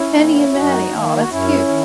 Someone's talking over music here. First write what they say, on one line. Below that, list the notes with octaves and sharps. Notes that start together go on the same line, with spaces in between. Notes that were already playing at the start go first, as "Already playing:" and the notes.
Penny and Maddie, aw, that's cute.
Already playing: C#4 E4
D#3 A#3
F#2 D#4 F#4
D#3 A#3
F#4
F#2 C#4 E4
D#3